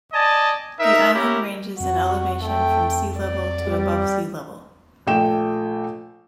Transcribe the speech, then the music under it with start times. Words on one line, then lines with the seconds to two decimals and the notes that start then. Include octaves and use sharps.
The island ranges in elevation from sea level to above sea level.
0.13 D5 D#5 G#5 A5
0.80 D#4 A#4 E5
1.14 C#4 E4 G4 A#4
1.80 F2 F#4
2.44 A3 G5
3.17 D5
3.67 G3
5.07 A#1 A3 G5 E7